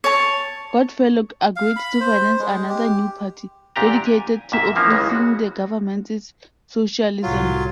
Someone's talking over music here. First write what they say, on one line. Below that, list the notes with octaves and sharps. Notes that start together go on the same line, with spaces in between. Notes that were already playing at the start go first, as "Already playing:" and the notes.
Goodfellow agreed to finance another new party, dedicated to opposing the government's "socialism".
C#5 A5
F5
B5
C5
G#3
G4
E2 A#2 D4 G4 G5 A#5
G#5
G#2 C3 A#3 D#4 E5
E3 F3 A#3 C#4
C#2 C#3 E3 G#3
F#4
C2 A2 F#3 F4